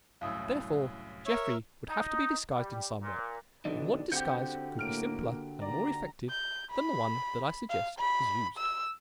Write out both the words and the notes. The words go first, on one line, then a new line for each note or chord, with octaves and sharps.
Therefore Jeffrey would have to be disguised in some way; and what disguise could be simpler and more effective than the one that I suggest was used?
C2 F#2 A2 F5 D#6 E6
A#4 C#5 E5
D#4
G3
A#2
B1 D3 E3 D4 D#4
D3 C4 F#4 G4 G6 C#7
A2 A#3 F6 D7
D#2 D5 A#5
G6
B5
F5
B5
E6